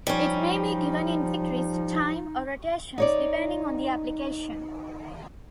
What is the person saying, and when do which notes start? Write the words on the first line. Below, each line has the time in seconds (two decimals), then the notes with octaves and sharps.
It may be given in degrees, time, or rotations depending on the application.
0.07 F3 G3 C#4 D#4
2.98 D#4 C#5 D5